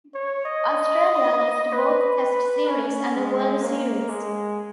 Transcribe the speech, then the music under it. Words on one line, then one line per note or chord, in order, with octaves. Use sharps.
Australia lost both Test series and the World Series.
C#5
D#5
B4
C#4
G#3
A#3
G#3